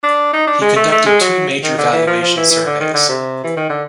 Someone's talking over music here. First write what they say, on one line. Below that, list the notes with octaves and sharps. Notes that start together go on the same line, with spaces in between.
He conducted two major valuation surveys.
D4
D#4
D4
G#3
A3
A3
G#3
F#3
D#3
D3
E3
F3
F3
E3
E3
D3
D#3
D3
C3
E3
D#3
D3